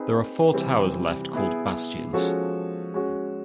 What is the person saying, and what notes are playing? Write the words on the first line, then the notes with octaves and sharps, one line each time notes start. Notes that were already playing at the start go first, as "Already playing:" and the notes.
There are four towers left called bastions.
Already playing: C4 D#4 G#4 B4
C3 E3 G3 C4
B3 E4 G#4
F3 G#3 C#4 F#4 A4
G#3 C#4 F#4